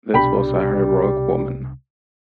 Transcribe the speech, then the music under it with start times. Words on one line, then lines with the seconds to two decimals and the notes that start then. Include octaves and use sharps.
This was a heroic woman.
0.14 C2 B2 G3 D4 G5 B5